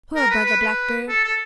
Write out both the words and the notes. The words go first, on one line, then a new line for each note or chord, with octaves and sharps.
Poor Brother Blackbird!
A#4
B4
B4
B4
A4
A4